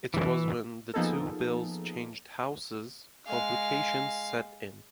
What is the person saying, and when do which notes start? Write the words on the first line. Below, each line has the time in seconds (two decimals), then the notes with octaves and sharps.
It was when the two bills changed houses, complications set in.
0.14 E3
0.94 F3 A#3 B3 D#4 G#4 A4
3.27 G#3 F5